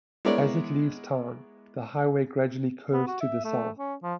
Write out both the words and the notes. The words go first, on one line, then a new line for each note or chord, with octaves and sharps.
As it leaves town, the highway gradually curves to the south.
G#3 B3 E4 A#4 C#5 D5
B3
F#4
E5
A3
C#4
F3